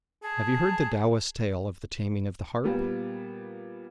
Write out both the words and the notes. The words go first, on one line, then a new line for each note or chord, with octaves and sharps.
Have you heard the Taoist tale of the Taming of the Harp?
G#4 A5
A#2 G3 B3